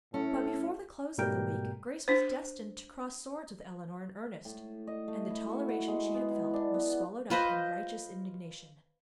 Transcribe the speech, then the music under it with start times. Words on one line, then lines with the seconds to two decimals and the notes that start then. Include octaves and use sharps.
But before the close of the week Grace was destined to cross swords with Eleanor in earnest, and the toleration she had felt was swallowed up in righteous indignation.
0.14 A2 C#4 A4
1.18 G#2 B2 G3 A3 A#4 G5
2.08 D4 C5
4.45 A2
4.87 D#5
5.08 A3
5.30 E4
5.47 F#4
5.69 F#5
5.88 G#3
6.14 B3
6.31 E4
6.53 D4
6.74 B3
7.30 F4 B4 C5 D#5